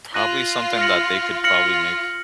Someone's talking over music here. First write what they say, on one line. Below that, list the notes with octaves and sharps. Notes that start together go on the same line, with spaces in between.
probably something that they could probably make
F4 F#6 A#6 D#7 F#7
F6 A#6 C#7 F#7
F4 F6 A#6 C#7 F#7